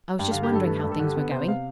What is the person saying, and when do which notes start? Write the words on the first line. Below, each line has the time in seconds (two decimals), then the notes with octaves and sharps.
"I was just wondering how things were going."
0.19 G2 G5
0.31 D3 F5
0.43 G4
0.51 G2 A4
0.66 A3 B4
0.79 A4
0.84 G2 G4
0.92 A4
0.99 D3 G4
1.16 B3
1.31 C3 C5
1.48 F5